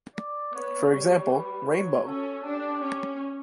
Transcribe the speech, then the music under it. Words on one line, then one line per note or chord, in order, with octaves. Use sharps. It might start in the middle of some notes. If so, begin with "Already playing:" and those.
For example, rainbow.
D5
B3 C#5
G3 C#5
B4
F#3 C#5
C#4 A4
D4 G4
C#4